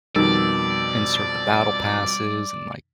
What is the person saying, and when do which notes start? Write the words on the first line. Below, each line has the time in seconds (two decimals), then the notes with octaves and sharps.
insert the battle passes and, like,
0.16 F2 B2 D#3 G3 D5 E6 A6